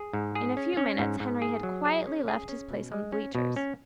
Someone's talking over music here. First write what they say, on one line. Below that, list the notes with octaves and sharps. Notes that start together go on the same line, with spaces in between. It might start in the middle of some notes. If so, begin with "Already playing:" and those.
In a few minutes Henry had quietly left his place on the bleachers.
Already playing: G#4
G#2
G#4
C#4
C#4
G#2
G#2
G#4
F#3
G#4
C#4
G#4
C#4
B2
G#3
C#4
B2
C#4